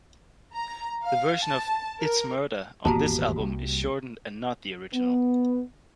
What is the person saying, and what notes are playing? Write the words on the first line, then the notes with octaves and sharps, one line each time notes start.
The version of It's Murda on this album is shortened and not the original.
A#5
F5
A5
A#4
D#1 G#1 E2 A#3 F#4 G4 A5 A#5
C2 G3
B3